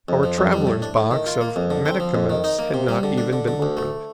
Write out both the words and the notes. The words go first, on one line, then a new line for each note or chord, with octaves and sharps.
Our traveler's box of medicaments had not even been opened.
F2
F3
F2
G3
A2
D4
A2
D#3
F4
A#3
F2
D3
C4
F3
F2
D#3
D#4
A#3
C3
G3
D3
D4
D3
D3
D2
A3